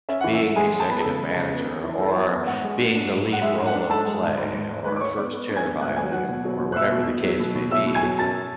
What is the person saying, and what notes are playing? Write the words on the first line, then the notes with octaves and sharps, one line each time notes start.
being executive manager or being the lead role in a play or first chair violin or whatever the case may be.
C#4 E5
F#5
E3
E5
A3
G#3 G#4 G#5
G#3
A5
B3 B5
C#3 A4 A5
G#3
C#3
B3
B3
E3
E3 A4 A5
E5
B3 F#5
B3 E5
G#2 F#5
G#3
D4
D4
G#2
G#2
F#5
G#3 E5
G#2
F#5
D4
G#2 A4 A5
G#3
G#2
G#2
G#2
G#2
G#2 B4 B5
D6
G#2 C#5 C#6
B3 D5 D6
B3
D4
G#5 G#6
B3
G#2 F#5 F#6
F#3 G#5 G#6
F#3 F#5 F#6
B2
F#3
B2
F#6
B2 E5 E6
B2
B2
F#3
B2
B2
F#3 E5 E6
B2
G#5 G#6
F#3
F#2 A5 A6